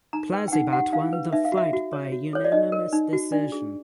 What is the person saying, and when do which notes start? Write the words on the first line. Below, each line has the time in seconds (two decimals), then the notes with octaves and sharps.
Plazibat won the fight by unanimous decision.
0.13 D#4 A#5
0.33 B4 G5
0.48 G5
0.52 D#4 F#5
0.73 G4 F#5
0.93 D#4 F5
1.13 B4
1.33 D#4 E5
1.45 F5
1.52 F#4
1.57 E5
1.73 F#4
1.93 C#5
2.12 F#4
2.33 A4 C#5
2.45 D5
2.52 D#4 D#5
2.72 A#4
2.93 D#4
3.13 F#4
3.32 D4 D5
3.52 G#4